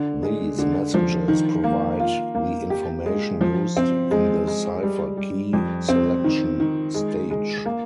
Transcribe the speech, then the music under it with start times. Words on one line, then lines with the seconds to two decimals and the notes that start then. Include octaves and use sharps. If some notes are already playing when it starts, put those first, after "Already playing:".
These messages provide the information used in the cipher key selection stage.
Already playing: D3
0.23 G#3
0.58 D3
0.94 F3
1.28 D#3
1.64 A#3
2.00 F4
2.35 A#3
2.70 G4
3.06 G#3
3.41 F3
3.77 C4
4.11 G#3
4.48 G#3
4.83 G3
5.17 G3
5.53 F2
5.89 C4
6.24 D#3
6.60 D#3
6.94 G#3
7.30 G#3
7.65 A#3